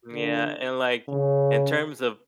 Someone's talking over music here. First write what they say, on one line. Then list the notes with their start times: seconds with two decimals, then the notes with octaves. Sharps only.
Yeah, and like in terms of
0.12 D3
1.08 C#3